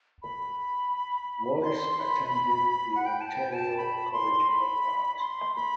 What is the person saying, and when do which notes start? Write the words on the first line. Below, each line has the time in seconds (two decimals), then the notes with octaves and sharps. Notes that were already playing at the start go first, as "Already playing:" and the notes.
Wallace attended the Ontario College of Art.
0.22 B5
1.59 B5
1.64 C6
1.99 B5
2.95 F#5
3.06 G5
3.21 A5
3.29 G5
3.53 A5
3.77 B5
4.13 C6
4.48 B5
5.19 C6
5.55 B5